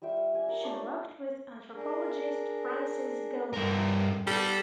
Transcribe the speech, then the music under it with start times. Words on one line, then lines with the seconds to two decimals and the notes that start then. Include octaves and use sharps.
She worked with anthropologist Frances Gillmor.
0.02 G3 F4 E5 G5
0.34 G4 G#5
0.48 A#4 A#5 B5
0.63 A3 D4 C#5
1.75 D4 G#4 A#4
3.54 G2 C3 E3 A4 A#4
4.27 G3 B3 A4